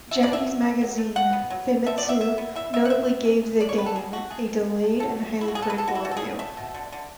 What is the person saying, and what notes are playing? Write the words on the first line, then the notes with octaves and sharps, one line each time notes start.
Japanese magazine "Famitsu" notably gave the game a delayed and highly critical review.
B2 E5
D5
B2 E5
F#3
A3
F#3
A3
D3 F#5
B3
F#3
B3
D3 E5
B3 D5
E5
F#3 E5
B3
E3 E5
B3 E5
F#5
E3 E5
B3
G#3
G#3
G#3 D5
C#5
B3 B4
A4
B2 G#4
A3 F#4
A3 G#4
B2
B2
A3
B2 A4
A3
B2
E4
F#4
B2 G#4
A4
B2 B4
A4
B2 F#4
E4
B2 F#4
A4
G#4
F#3
A3 E5
B2
D3
D3